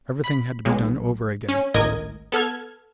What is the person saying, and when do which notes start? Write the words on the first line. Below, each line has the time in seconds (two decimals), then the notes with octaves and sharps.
Everything had to be done over again.
0.24 B5
0.65 B1 G#3
1.49 C#4
1.74 G#1 C#2 A2 A#4 D#5 G#6
2.32 B3 A4 F6 G#6